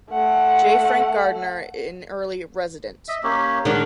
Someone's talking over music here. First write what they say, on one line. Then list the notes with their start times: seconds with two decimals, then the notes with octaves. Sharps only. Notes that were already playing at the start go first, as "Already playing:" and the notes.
J. Frank Gardner, an early resident.
0.10 A3 F#5
3.08 D#5 E5
3.23 A#3 C#4 G4
3.65 D#3 G#3 D4 F#5